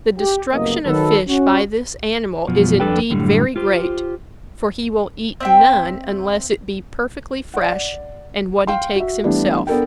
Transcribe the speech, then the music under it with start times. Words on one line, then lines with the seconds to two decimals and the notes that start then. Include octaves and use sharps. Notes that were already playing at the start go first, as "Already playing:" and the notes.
The destruction of fish by this animal is, indeed, very great, for he will eat none unless it be perfectly fresh, and what he takes himself.
0.18 G4
0.52 F#1 C2 A#3 B3 D#5
0.85 D#3 F#3 A4 B4
1.28 C#4 F#4
2.48 F#2 B2 F3
2.80 F2 G3 D4 A4 B4 G5
3.10 F#2 A2 D3 G3
3.56 F4 G4 C5
5.40 C4 E5 G5
7.54 D5 F#5
8.67 F5 G5 C6
8.96 F#4 E5
9.24 E3 G3 A3 B3 D4
9.67 B3 D4 A4 A#4 G5